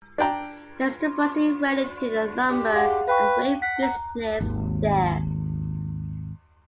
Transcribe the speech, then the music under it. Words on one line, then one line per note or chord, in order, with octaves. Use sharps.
Mr Bussey went into the lumber and grain business there.
D4 D5 G5 A#5
G4
G#4 F5 F#5
B4 F5 G5 C#6
F#5 B6
A#5
G#1 D#2